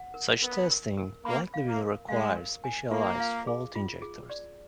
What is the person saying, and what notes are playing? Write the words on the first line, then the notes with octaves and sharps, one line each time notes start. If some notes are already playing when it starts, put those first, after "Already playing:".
Such testing likely will require specialized fault injectors.
Already playing: F#5
A#4
B3 A#4
A#4
A#4
A#3 B5
F5
A#3
A#4
G#3 F5
A#4
G#5
A#3 F4
F5
G#4
F4
G#4
D5